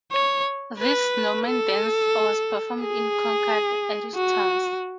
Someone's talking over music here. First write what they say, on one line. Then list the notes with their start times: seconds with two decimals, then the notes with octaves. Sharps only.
This Norman dance was performed in conquered Irish towns.
0.12 C#5
0.78 B4
1.45 A4
2.81 G#4
4.15 F#4